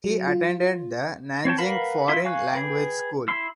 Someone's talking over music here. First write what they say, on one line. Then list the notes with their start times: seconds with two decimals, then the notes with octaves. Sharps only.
He attended the Nanjing Foreign Language School.
0.04 F#3
0.27 F4
1.45 C4 C#5 G5 A5
1.58 A#4 B4 F5 F#5 B5
2.08 E4 F4 E5 C6 D#6
2.25 F5 G#5 C#6 F#6
2.53 G#4 B4 G5
3.28 E4 B5 C6 E6